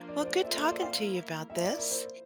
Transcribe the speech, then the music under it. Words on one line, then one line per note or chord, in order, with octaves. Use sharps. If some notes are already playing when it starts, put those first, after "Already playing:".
Well, good talking to you about this.
Already playing: F3 A#3 D4
D5
C5
D5
F3 A#3 F4 A4 C5 E5
E5
D5
F5
A#3 E4 A#4
F3 A#3 E4 E5
D5
A#4
C5